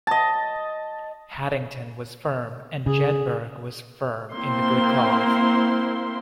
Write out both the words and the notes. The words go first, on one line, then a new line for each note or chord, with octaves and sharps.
Haddington was firm and Jedburgh was firm in the good cause.
D#5 A5
C#3 G#4
A#3 C4 E4 C6